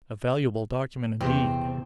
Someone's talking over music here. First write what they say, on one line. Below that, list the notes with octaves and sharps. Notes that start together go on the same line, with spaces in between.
'A valuable document, indeed!'
E2 C3 C4 C5